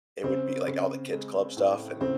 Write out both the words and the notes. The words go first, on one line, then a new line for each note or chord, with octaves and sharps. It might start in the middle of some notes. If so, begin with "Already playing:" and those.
it would be, like, all the kids club stuff and,
C#3 C4
C#3
G#3
A2
C#3 C4